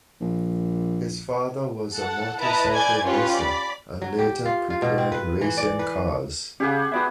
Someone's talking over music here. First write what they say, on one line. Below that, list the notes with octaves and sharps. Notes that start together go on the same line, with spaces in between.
His father was a motorcycle racer and later prepared racing cars.
A#1
A4 F#5
E4 B4 D#5 A5 A#5
B4 D5 G#5 G6 G#6
C#4 F4 G4 B4 C#5
D5 B5
F#3
G4
F4
F4
B2
C4
B4
E3
D5
B4
C#3 C#4 G4 G#4 D5 F#5
B3 F#4 D5 E5